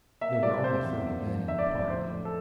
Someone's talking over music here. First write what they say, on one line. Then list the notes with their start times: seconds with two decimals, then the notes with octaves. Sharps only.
There were only thirty men in the party.
0.21 A#3 E5
0.42 G3 D5
0.64 C3 C5
0.85 E2
1.06 A#3
1.27 F3
1.48 D3 E5
1.59 D5
1.69 F2 E5
1.79 D5
1.90 A2 C5
2.11 A3
2.25 A4